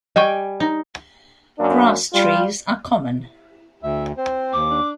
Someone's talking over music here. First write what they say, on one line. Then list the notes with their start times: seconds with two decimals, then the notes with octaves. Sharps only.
Grass-trees are common.
0.16 G3 D#5 G5 G#5 C#6
0.60 D#4
1.59 F#2 A#3 D4
2.13 G3 F4
3.83 D2 E5
4.18 C4 C5
4.53 D#2 D6
4.70 D4